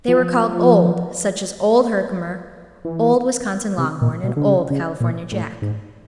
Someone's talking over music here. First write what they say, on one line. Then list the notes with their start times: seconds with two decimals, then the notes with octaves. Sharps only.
They were called "old," such as Old Herkimer, Old Wisconsin Longhorn, and Old California Jack.
0.08 F3
2.85 E3
3.78 C3
4.02 A#2
4.24 B2
4.37 D3
4.47 C#3
4.70 C#3
5.01 A#2
5.32 A2
5.62 G#2